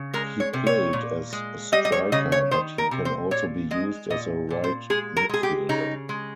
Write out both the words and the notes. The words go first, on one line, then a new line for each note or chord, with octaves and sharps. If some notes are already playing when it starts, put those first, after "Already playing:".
He played as striker, but he can also be used as a right midfielder.
Already playing: C#3
G#3 A#4
C#5
C3
C#5
A#2
G#3
G3 D#5
D#5
C#5
C#3 D#5
C#5
D#3 C5
A#4
C3
C5
A#2 C#5
G#3 D#5
A#2 D#5
A#2
C5
G#3 G#4
A#4
G#3 G#4
G4
C#3 D#4
G#3